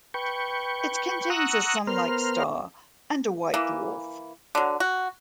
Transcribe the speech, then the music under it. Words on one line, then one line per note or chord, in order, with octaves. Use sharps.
It contains a Sun-like star and a white dwarf.
B4 G5 C#6
F#5 A#5 C#6 D#6 E6 F#6
B3 A#4 C5 F6
E3 A#3
D3 F#3
F#4